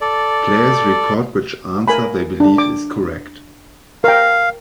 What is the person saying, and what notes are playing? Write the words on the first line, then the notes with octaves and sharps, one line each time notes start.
Players record which answer they believe is correct.
A4 D5
A#4 G#5 B5
D4
D6
A#4 F5 G5